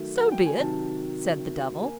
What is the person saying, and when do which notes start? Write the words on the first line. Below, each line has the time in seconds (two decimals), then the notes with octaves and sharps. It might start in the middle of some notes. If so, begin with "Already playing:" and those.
"So be it," said the devil.
Already playing: D#3 F#3 A3
0.17 F#5
0.31 G5
0.46 G#5
0.59 C3 D#3 F#3 A5
1.83 A#3 G#5